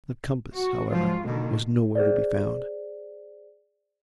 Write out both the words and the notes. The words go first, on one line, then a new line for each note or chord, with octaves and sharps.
The compass, however, was nowhere to be found.
F#4
G#2 F3 F#3 F4
B2 D3 D#3 A#3
G#4 C5 D5